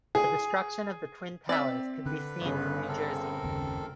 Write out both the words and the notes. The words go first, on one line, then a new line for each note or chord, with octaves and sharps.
The destruction of the twin towers could be seen from New Jersey.
G#4
C4 D5 E5
D3 B4
G1 C#3
C4 A4 A#4
F#1 D#2 C#3